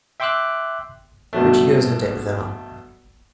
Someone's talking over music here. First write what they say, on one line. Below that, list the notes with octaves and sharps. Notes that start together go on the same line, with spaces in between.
Richie goes on a date with Emma.
E5 G5 C6 D6 E6 F#6
G2 B2 F#3 A3